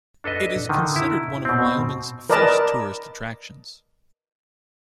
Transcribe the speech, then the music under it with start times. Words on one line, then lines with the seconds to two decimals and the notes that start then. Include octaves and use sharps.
It is considered one of Wyoming's first tourist attractions.
0.24 D4 A4 B4 D#5
0.69 D3 D#3
0.96 E4
1.45 B2 C4
2.30 A#4 B4 D5 D#5 A5